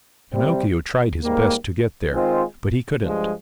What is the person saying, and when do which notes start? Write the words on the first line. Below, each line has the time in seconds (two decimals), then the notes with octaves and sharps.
Pinocchio tried his best to get there, but he couldn't.
0.32 C3 G3 C4
1.22 G#2 G3 A#3
2.11 D#3 G#3 C4 F4 C5
3.01 G2 F3 G#3